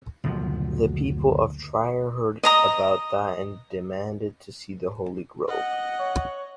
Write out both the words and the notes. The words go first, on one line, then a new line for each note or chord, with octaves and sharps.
The people of Trier heard about that and demanded to see the Holy Robe.
F#1 D2 B2 F3
D#5 A#5 D#6
D#5 F#5
C#5